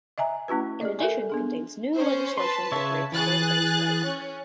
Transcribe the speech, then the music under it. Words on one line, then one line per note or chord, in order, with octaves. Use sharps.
In addition, contains new legislation that creates a database right.
D#5 E5 G#5 A#5
A3 C#4 E4 F#4 B4
G4 G#4 D5 D#5
A4 A#4 E5 G#5
B3 D4 G#4
C#4 C5
B4 A5 C6
C#3 C#5 E5
E3 G#4 F#6 A6
C#4